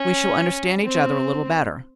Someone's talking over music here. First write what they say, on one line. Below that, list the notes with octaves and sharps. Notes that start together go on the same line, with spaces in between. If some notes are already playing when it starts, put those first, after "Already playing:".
"We shall understand each other a little better."
Already playing: C#4
C4